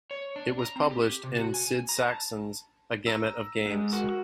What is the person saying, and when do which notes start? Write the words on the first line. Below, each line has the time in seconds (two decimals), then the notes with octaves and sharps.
It was published in Sid Sackson's A Gamut of Games.
0.11 C#5
0.36 D4
0.59 A#5
0.76 C4
0.91 G4
1.23 C3
1.36 F#4
1.54 G#5
1.89 A#5
2.07 A5
3.07 A#5 E6
3.66 G#2 G#3
3.93 F#4 A#4